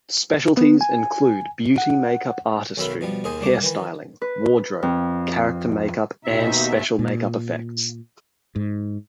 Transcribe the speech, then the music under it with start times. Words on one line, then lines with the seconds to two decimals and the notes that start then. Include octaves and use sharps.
Specialties include beauty make-up artistry, hairstyling, wardrobe, character make-up and special make-up effects.
0.57 B3
0.81 G#5
1.78 F#5
2.77 B1 F#2 D#3 E5 F5 B5
3.01 B2 F3 G3
3.24 D#2 D#3 G#4 C5 D#5
3.41 C2 D4 D6
3.63 D#3 E3 B4
4.22 B4
4.83 F2
6.24 D#2 B2 D#4 E5
6.99 A#2
8.56 G#2